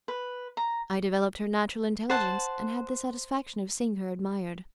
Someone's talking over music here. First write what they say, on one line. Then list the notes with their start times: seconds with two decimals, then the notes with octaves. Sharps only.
I developed her natural intelligence, and had the satisfaction of seeing her admired.
0.08 B4
0.57 A#5
2.10 C5 F#5 A5